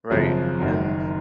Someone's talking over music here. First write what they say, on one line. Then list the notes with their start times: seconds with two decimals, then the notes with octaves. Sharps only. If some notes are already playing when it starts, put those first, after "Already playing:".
right? And
0.10 G#1 F#2 C#3 F3
0.59 F#1 F#2 D#3 F#3